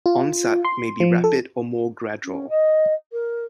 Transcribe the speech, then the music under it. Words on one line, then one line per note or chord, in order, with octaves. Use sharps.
Onset may be rapid or more gradual.
F4
C6
F3
A4
C#4
D#5
A#4